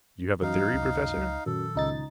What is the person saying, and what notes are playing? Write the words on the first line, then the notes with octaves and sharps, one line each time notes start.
"You have a theory, professor?"
F#2 E3 D#4 F5
C#2 C3
C#2
F#2 A#2 D#3 F#3 A4
C#2 D#4 A6